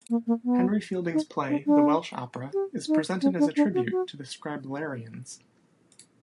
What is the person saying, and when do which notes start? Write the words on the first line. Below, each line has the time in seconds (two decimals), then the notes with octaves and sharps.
Henry Fielding's play, "The Welsh Opera" is presented as a tribute to the "Scriblerians".
0.10 A#3
0.27 A#3
0.44 B3
1.14 D#4
1.49 D4
1.66 D4
2.53 G4
2.88 D#4
3.22 C#4
3.39 D4
3.56 D4
3.74 F#4
3.91 F#4